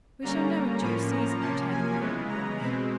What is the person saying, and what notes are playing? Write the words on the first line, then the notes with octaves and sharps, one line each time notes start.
"We shall know in due season," returned Miriam grimly.
D3 G3 A#3 C#4 A#5
A2 F3 A#3 C#4 B5
A#5
C3 F3 A#3 C#4 A5
G#5
C#3 E3 G#3 B3
A#5
B2 G#3 C4 B5